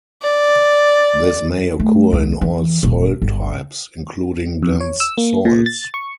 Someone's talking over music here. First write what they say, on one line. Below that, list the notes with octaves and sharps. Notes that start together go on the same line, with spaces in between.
This may occur in all soil types including dense soils.
D5
A3
C#2
E3
D#1
G1
F2
C#5
E6
A#3
A#2
A6
C#6